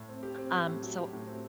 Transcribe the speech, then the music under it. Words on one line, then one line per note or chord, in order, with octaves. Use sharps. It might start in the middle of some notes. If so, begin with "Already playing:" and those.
um, so
Already playing: A2
C4
G4
C4
G4
A2
F#3
G4
A2
C4